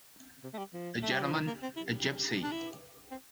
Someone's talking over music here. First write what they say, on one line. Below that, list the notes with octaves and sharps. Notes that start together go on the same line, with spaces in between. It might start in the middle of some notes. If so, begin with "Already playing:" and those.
A gentleman, a gipsy.
C3
A3
G3
F3
A3
G3
F3
E3
A#3
C4
E4
D4
E4
C4